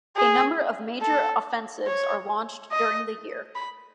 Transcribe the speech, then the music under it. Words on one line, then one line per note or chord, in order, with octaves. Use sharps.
A number of major offensives are launched during the year.
G#4
A4
C#5
D#5
B5